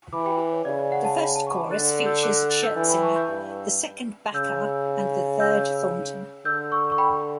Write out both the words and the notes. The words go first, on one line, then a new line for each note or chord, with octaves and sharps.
The first chorus features Scherzinger, the second Bacar and the third Thornton.
E3 B5 D6
G5 B5
C#5
C#3 D5
D5
D5 F#5
F#5 A5
G5 B5
F#5 A5
C#6
B5 D6
D3 F#6 A6
F#6 A6
E6 G6
D6 F#6
D6 F#6
F#6 A6
E6 G6
E3 E6 G6
G5 B5
A5 C#6
E6 G6
G2
C#3 E6 G6
E6 G6
D3 E6 G6
C#6 E6
C#6
G5 B5